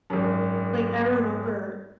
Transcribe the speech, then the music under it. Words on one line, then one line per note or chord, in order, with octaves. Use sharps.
Like, I remember
G#1 F#2